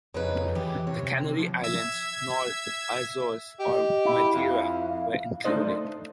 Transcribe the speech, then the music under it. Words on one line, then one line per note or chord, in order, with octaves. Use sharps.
The Canary Islands, nor Azores or Madeira were included.
F2 C#3 D#4 B4
F2
E3 G4
C3 C#5
F3
E5 E6 G#6
G4 D#5
E4
F2 F5
A3 D4 D#4 C5 D#5